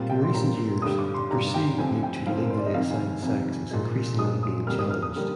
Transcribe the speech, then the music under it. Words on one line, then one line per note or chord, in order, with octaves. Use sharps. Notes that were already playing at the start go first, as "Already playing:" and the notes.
In recent years, the perceived need to legally assign sex is increasingly being challenged.
Already playing: A#2 G3 C4 F5
G5
C6
A#2 G3 C4 A#5
G2 D3 G3 D#6
D6
C6
G2 D3 G3 A#5
G5
F2 D3 F3 C4 G#5
G5
F2 D3 F3 C4 F5
A#4
C5
D5
D#5
F2 C3 D#3 F5
G#5
F2 C3 D#3
A#2 F3 G#3
A#2 F3 G#3 D#6
D#6
F2 D3 G3 A#3 F6
D#6
F6
D#6
D3 G3 A#3